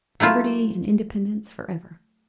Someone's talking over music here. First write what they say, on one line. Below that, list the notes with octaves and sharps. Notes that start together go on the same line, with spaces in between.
Liberty and Independence for Ever!
F#3 A3 E4 F4